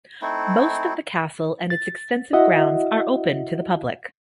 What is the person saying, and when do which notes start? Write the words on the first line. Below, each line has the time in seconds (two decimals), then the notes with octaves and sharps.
Most of the castle and its extensive grounds are open to the public.
0.22 A3 C4 D#4 E4
1.70 A6
2.33 E4 F#4 D#5 E5 F#5